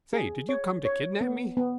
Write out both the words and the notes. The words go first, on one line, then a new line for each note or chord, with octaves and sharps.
"Say, did you come to kidnap me?"
G#4
C#5
C#5
B3
B3